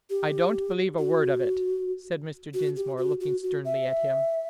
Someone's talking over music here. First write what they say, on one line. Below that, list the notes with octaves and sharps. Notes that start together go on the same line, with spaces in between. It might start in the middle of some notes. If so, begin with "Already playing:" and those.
"I don't believe a word of it," said Mr. Dinsmore, looking sternly at him.
G4
F#4
F#4
G4
F#4
F#4
F#4
E5